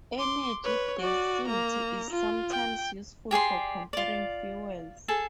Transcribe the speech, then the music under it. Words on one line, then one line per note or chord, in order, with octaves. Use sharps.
Energy density is sometimes useful for comparing fuels.
C6 D6
B4 C#5
F#4 D5
A#3 A#5
F4
G5
G4 G#4 D5 C6
F4 D5
G#4 A4 A5